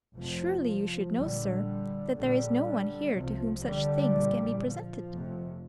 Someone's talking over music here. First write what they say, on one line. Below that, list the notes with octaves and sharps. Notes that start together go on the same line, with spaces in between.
"Surely you should know, sir, that there is no one here to whom such things can be presented!"
F1 F2 C3 F3
A#1 A#2 D3 G3
A#1 A#2 D3 G3
C2 C3 F3
D3 G3
A#1 A#2
F3
F1 F2 C3